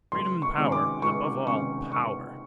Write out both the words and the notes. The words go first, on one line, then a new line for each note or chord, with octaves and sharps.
Freedom and power, and above all, power!
C#2 C6
C#6
C3 D#3 G#3 C#4
D6
C#2 C#6
C3 D#3 G#3 C#4 C#6
C#2 C#6